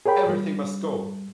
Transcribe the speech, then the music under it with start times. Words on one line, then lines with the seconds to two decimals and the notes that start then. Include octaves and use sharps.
Everything Must Go!!!
0.06 G#4 A#4 C#5 G5 B5
0.29 G3